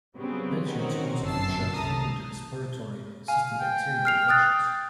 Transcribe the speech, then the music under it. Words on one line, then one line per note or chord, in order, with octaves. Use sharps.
Patients also show frequent respiratory system bacterial infections.
C#3 F#3 G3 B3 C4
D#3 C4 C#4 D#4 F#4 A#4
G1 F#2 A5 E6 C7
C2 A3 A5 A#5 D#6
F5 G#5
G5
F6 C7 F7
D#6 F#6 A6